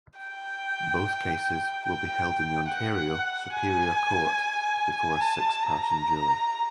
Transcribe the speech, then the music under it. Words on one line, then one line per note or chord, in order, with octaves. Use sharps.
Both cases will be held in the Ontario Superior Court before a six-person jury.
G5
G5
F#5
G#5
A5
A#5